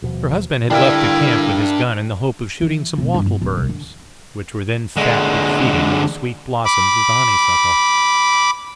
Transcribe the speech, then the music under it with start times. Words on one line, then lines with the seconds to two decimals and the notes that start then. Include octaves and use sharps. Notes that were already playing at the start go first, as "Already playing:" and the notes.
Her husband had left the camp with his gun in the hope of shooting some wattle birds, which were then fat with feeding on the sweet blossoms of the honeysuckle.
0.02 D#1 B2 F3
0.71 D3 G3 A#3 D4 E4 E5 G5
2.61 E3
2.98 E1
3.14 G2
3.27 G1
3.42 D1
3.57 C2
3.69 D3
4.97 D3 G#3
6.65 B5 D6